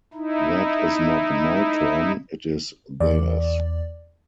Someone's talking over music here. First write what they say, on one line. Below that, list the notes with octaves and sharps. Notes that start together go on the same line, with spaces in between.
That is not my term, it is theirs.
D#4 E4
E2 D5